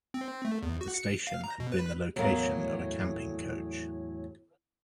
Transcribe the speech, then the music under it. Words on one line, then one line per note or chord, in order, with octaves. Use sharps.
The station had been the location of a Camping coach.
C4
A3
E2
F#4
C#7
F5
A#5
B2
B4
E2 A2 F#3 A3 A#4 F5